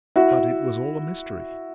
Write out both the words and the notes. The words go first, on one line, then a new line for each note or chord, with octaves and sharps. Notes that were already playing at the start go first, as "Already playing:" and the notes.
But it was all a mystery.
E4 F#4